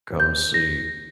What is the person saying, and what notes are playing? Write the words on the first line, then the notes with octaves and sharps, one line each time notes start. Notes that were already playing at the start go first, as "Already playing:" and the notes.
come see
G6
A#6